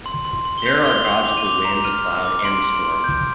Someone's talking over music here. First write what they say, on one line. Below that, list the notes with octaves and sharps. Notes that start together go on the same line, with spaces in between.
They are gods of the wind, the cloud, and the storm.
C6
C6
C6
G7
G6 F7
C6 G7
G7
C6 F7
D6 F7
D#7
D6
F7
A#5
F6 D#7
F6
D6
C6 D7
C6
C6
G6